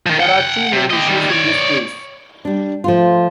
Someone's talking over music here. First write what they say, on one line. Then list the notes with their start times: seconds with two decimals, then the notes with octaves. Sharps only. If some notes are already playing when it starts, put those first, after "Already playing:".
There are two main issues in this case.
0.06 D#3 F3
0.20 F#5 G5
0.72 C3
0.90 G4 D#5
1.07 D#3 G3
1.29 C#5 D5
2.45 G3 D4
2.84 F3 A3 F4